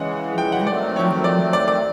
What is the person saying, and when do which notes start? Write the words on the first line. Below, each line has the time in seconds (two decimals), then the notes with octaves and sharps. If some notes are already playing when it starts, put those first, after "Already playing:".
Mhm. Mhm.
Already playing: C#3 E3 G#3 F#5
0.38 G5
0.52 F#5
0.67 D#3 F#3 A3 C4 D5
0.96 C#5
1.24 D5
1.53 D5
1.68 D5